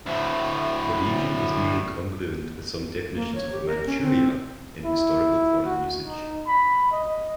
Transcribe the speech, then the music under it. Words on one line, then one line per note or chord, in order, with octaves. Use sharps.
The region is nearly congruent with some definitions of "Manchuria" in historical foreign usage.
D2 A2
A#3
C#5
G4
A#4
C#4
C4
E4
F#4
D#4
B5
D#5